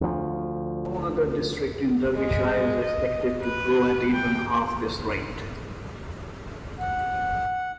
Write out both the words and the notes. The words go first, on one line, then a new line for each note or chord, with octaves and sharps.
No other district in Derbyshire is expected to grow at even half this rate.
D2 F3
G#3
D#5
B4
G5
F#5